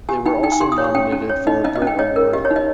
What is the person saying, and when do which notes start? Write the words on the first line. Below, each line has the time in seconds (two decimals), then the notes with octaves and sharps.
They were also nominated for a Brit Award.
0.09 G4 G#5
0.26 D#4 G5
0.43 D#4 G5
0.52 G#5
0.61 G4 C6
0.72 D#6
0.78 C#5
0.84 C#6
0.95 C#4 G5
1.13 C#4
1.30 C#5
1.47 D#4 D#5
1.64 C#4 D#5
1.76 D#5
1.82 C#4
1.87 G5
1.99 C#5 D#5
2.16 A#4
2.33 G4 D#5
2.45 C#5
2.51 D#4
2.56 D#5